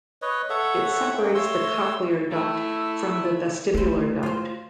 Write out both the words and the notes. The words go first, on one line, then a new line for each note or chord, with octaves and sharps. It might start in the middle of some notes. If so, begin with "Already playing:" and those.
It separates the cochlear duct from the vestibular duct.
B4 C#5 D#5
A4 C#5 E5 F#5
A#3 C#4 G5
A3 C#5 C6 E6
A3 E4
D3 A3 E4 G4 C5
F4 C5